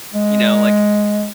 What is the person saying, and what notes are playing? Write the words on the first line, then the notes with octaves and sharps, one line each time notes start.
you know, like,
G#3